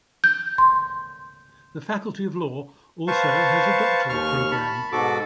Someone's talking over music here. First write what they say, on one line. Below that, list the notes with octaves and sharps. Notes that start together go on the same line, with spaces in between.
The Faculty of law also has a doctoral program.
G6
C6
B4 C5 F5 A5 C#6
D#2 C#6 F6
A5 B5
G#2 B2 F#4 A4 D6